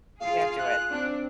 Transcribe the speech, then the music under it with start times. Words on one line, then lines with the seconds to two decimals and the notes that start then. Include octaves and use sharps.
Can't do it.
0.20 F4 G#4 F5
0.59 F#6
0.91 C4 D4